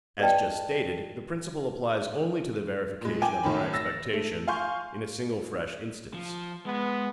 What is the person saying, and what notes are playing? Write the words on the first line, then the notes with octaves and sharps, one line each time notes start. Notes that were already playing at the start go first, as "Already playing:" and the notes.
As just stated, the principle applies only to the verification of our expectation in a single fresh instance.
G#4 B4 D5 D#5 G5 A5
A#2 G#3
G5 G#5 D6
B1 A2 D#3 B5
E6 A6 A#6 E7
A3
F5 G#5 C6 C#6 G6
F3
G#3 B3